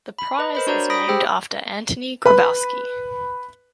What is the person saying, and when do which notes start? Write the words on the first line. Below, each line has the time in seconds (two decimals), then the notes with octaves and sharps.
The prize is named after Antoni Grabowski.
0.19 B5
0.39 B4 D#5
0.55 A#4 C5 B5
0.67 D4 F#4 C#5 D5 A#5 G6
0.90 B5 D#6 A#6 B6 D7
1.08 G4 G#4 C5 G5 E6
2.26 B4 B5